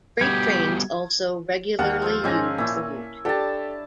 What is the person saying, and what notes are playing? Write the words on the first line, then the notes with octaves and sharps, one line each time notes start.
Freight trains also regularly use the route.
G3 B3 F#4 G4 G#6
D#2 A#4 F5 F#5 A5
F3 C4 F4
G#2 C4 C#4 G#5 A#6
A#2 C#4 E4
D4 G4 A4 A5